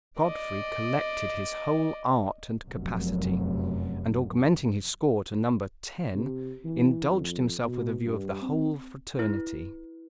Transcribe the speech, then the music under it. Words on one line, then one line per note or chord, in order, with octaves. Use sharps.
Godfrey collected his whole art and capacity, and, augmenting his score to number ten, indulged himself with a view of the whole fraternity.
D5 D#5
F1 F#2
C3
E3
F2
B2
G2
C4
E4 B4